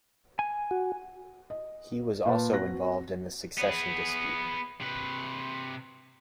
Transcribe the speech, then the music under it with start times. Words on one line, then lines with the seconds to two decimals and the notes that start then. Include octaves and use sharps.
He was also involved in the succession dispute.
0.39 G#5
0.71 F#4
1.50 D#5
2.25 A#2 B4 A5
2.52 C4 F#4 F#6 A#6
3.58 B3 G#4
4.81 C3 B4